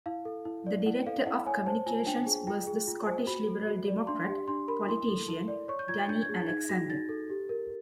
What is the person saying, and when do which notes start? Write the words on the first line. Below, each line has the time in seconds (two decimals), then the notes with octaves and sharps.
The director of communications was the Scottish Liberal Democrat politician Danny Alexander.
0.06 E4 F5
0.25 A4
0.45 E4
0.67 D5
0.86 E4 F#5
1.06 A4 F5
1.26 E4 F#5
1.46 C#5 G#5
1.66 C5 A5
1.86 F4 G#5
2.06 D4 G5
2.26 G#4
2.47 F4 G5
2.67 G#4
2.88 F4
3.07 C5
3.27 F#4 B5
3.47 A4
3.67 F#4
3.88 D5
4.07 D4 C6
4.28 G4
4.48 D4 C6
4.68 A#4 B5
4.88 E4 C6
5.08 A4
5.28 E4
5.48 D5
5.68 C#5 C#6
5.79 G6
5.88 F4 G#6
5.98 A6
6.08 D4 G6
6.22 G#6
6.29 G#4
6.36 A6
6.48 D#4 G#6
6.69 F#4 A#6
6.89 D#4 A6
7.09 A4
7.30 G4
7.49 A#4